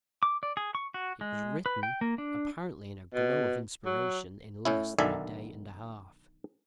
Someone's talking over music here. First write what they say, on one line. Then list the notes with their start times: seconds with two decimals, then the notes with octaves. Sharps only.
It was written, apparently in a glow of inspiration, in less than a day and a half.
0.23 D6
0.43 D5
0.57 G#4
0.75 C#6
0.94 F#4
1.21 G#3
1.66 B4
1.83 G5
2.01 A#3
2.18 D4
3.14 B2
3.85 F#3
4.65 A2 C#4 E4
4.99 B1 D3 D#3 D5 E5 G#5